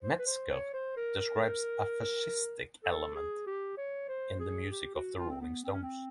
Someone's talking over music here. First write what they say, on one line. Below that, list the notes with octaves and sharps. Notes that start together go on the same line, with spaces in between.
Metzger describes "a fascistic element" in the music of the Rolling Stones.
C5
B4
C5
C#5
C5
A#4
A4
G#4
G4
C#5
C5
G#4
G4
F#4
F4
C4
B3
C4
C#4
C4